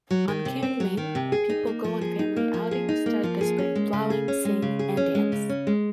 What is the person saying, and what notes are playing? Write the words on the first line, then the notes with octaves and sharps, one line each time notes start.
On Qingming, people go on family outings, start the spring plowing, sing, and dance.
F#3
D#3
C3
C4
F#3
D#3
C3
G#4
D#4
A#3
F3
G#4
D#4
A#3
F3
G#4
D#4
A#3
F3
G#4
C#4
G#3
C#3
G#4
C#4
G#3
C#3
G#4
C#4
G#3
C#3
C#4
G#3